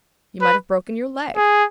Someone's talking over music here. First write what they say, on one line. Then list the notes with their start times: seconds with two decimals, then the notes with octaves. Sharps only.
You might have broken your leg.
0.42 B4
1.36 G#4